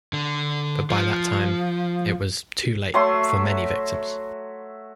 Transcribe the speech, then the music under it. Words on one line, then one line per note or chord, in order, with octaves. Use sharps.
But by that time, it was too late for many victims.
D3
F3
F#3 A3 E5 C6